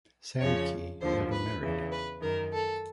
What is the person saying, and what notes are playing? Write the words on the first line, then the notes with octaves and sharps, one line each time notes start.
Sankey never married.
F2 C#3 F3 C#5
D#2 D3 F3 C5
B4
E2 C#3 E3
B4
F#2 D#3 A#4
A4